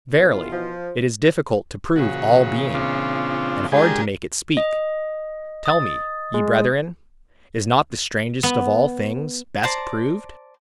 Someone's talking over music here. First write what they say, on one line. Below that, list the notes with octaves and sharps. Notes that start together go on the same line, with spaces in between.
Verily, it is difficult to prove all being, and hard to make it speak. Tell me, ye brethren, is not the strangest of all things best proved?
B2 E3 F4
F3
A#2 C#3 E3 F#4
C4 D4 F4
G#3 D4 F4 G4 G#4 A#4
D#5
D#6 A6
G#3
B3
C5 D5 A5 A#5